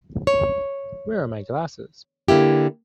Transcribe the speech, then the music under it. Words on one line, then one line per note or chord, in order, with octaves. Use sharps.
Where are my glasses?
C#5
D3 A#3 E4 G4